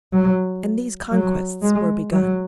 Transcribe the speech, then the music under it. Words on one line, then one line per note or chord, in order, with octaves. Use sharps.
And these conquests were begun.
F#3
F#3
G#3
F#3